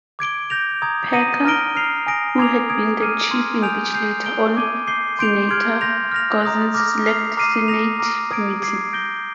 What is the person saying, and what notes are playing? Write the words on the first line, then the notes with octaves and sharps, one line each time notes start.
Parker, who had been the chief investigator on Senator Couzens' Select Senate Committee.
D6 G#6 D7 G7
G6 A#6 F7
A#5 D#6 G#6
A#5 D#6 A#6 D#7
A#5 F6 A#6 D7 G7
F6 C7 F7
G#5 D#6 A#6 D7
A#5 D6 G#6 C7 F7
D#6 G#6 D7
A#5 D6 F6 G#6 D#7
C6 F6 G#6
G#5 D#6 G6 D7 F7
G6 C7 F7
G6 D7 G7
D6 G#6 D#7 G7
D6 G6 C7 G7
C6 G6 D7 F7
C6 F6 G#6 D7
C6 G6 A#6 F7
F6 A#6 F7
A#5 D#6 A#6
D6 F6 A#6
F6 C7 F7
A#5 D6 F6 C7 D#7
D#6 A#6 F7
A#5 D6 F6 A#6
D#6 G#6 D7
D6 G#6 C7
G6 A#6 D7 G7